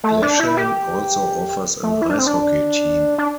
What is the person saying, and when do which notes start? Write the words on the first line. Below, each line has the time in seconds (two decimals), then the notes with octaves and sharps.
Glashan also offers an ice hockey team.
0.04 A3
0.22 D4
0.40 E4
0.57 G4
1.83 A3
2.02 E4
2.10 D4
2.18 C4
2.26 D4
3.18 D4